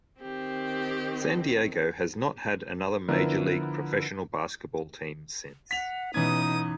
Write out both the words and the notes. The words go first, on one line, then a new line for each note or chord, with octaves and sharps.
San Diego has not had another major league professional basketball team since.
D#3 C4 G4
D3 F3 B3 E4 A#4 B4
F#5 B6 F7
B2 E3 C#4 D#4 D#6 G#6